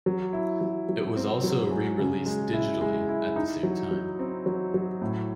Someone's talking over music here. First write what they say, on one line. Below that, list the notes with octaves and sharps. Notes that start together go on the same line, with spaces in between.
It was also re-released digitally at the same time.
F#3
E4
F#3
F#3
C4
F#3
G#3
C#3
G#3
E4
G#3
E4
D#4
F#3
F#3
C4
F#3
F#3
A2